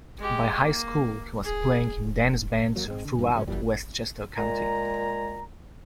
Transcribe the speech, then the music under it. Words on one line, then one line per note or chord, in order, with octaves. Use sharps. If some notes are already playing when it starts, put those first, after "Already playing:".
By high school, he was playing in dance bands throughout Westchester County.
G#3 G4
A#3
G#4
D#2 F#3 A#3
G#2 G#3 C4
D3
G2 B2 E3
G#2 C#3 F#3 C#4
F#2 A#2 E3 G3
A#2 G#3 A#5